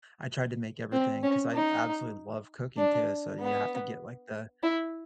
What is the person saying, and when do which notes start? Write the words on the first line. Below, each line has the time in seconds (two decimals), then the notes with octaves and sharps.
I tried to make everything 'cause I absolutely love cooking too, so you have to get, like, the,
0.92 C4
1.23 C#4
1.54 D#4
2.77 D4
3.39 B3
4.63 E4